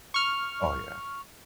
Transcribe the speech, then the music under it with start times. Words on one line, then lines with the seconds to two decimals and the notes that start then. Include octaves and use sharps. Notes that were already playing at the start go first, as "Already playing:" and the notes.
Oh, yeah.
0.14 C#6 F6